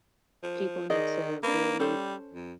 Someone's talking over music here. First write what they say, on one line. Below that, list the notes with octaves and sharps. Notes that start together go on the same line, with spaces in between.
people need to really
F3
D#3 G#4 D5 D#5
A#3 D4 B4
G3 C#4 A4 C5
F2